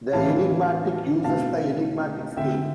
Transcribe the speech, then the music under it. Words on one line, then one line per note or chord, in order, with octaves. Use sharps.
"The Enigmatic" uses the enigmatic scale.
A2 E3 A3 C4 F5 A5
B2 A3 C4 F5 A5
D3 A3 C4 E5 G5